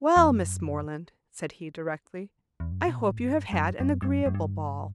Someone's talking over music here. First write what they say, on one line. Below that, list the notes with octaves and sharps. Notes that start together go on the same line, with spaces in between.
"Well, Miss Morland," said he, directly, "I hope you have had an agreeable ball."
E2
F#2
E2
F#2
B2
A2
F#2
G2
F#2
F#2
G2
F#2
F#2
G2